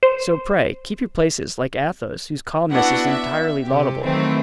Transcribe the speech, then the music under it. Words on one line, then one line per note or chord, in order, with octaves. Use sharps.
So pray keep your places, like Athos, whose calmness is entirely laudable.
C5
B3 D4 E4 F#4 F#5
E5
C3 G4
D#3 E3 F#3 A3 C4